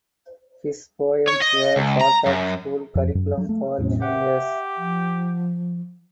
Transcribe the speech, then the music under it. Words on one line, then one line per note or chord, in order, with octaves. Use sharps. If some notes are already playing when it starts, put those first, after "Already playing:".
His poems were part of school curriculum for many years.
C#5
D#5
C#2
A#5
F#2
F2
F#2
F#3
A3
E2 A2 F#3 C#4
G4 E5 F#5
F3